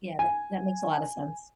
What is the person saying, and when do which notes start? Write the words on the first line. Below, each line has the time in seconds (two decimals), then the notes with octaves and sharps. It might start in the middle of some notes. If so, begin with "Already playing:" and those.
yeah, that that makes a lotta sense.
0.19 G#5